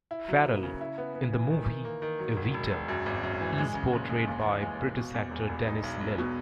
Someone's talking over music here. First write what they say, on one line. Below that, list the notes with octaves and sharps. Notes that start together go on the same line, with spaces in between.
Farrell, in the movie "Evita", is portrayed by British actor Denis Lill.
E4
F#3
A#3
C#3
E4
B3
B3
E3
D#3
D#3
A#3
D#3
F#3
E1
E1
E1
F#2
G#1
F#2
E3
G#3
C#3
F#1
G#3
D#2
E3
G#3
D#2
B2
E2
E1
E1
D#4
B1
B1
B2